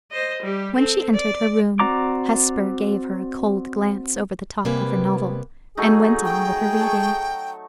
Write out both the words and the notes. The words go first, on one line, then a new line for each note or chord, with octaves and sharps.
When she entered her room, Hesper gave her a cold glance over the top of her novel, and went on with her reading.
C5 D#5
G3 G4
C4 A4
D5
C4 F#4 D5 A#5 D6
C3 G3 A#3 B3 B4 G#5
F#3 A3 D#4 G#4
G5
A5 C#6